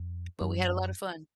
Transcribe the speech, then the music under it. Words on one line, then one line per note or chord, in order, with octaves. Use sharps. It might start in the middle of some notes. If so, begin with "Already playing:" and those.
But we had a lotta fun.
Already playing: F2
F#2